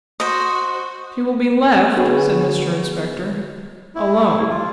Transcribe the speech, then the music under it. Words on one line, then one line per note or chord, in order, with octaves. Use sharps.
'She will be left,' said Mr Inspector, 'alone.'
F#4 C5 D#5
D3 B3 F#4 G#4 B4 C#5
E4
F4